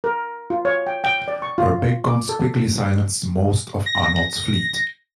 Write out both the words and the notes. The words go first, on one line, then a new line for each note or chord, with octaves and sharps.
Her big guns quickly silenced most of Arnold's fleet.
A#4
F4
C#5
G5
G5
D5
C#6
F4
D6
A4
A#6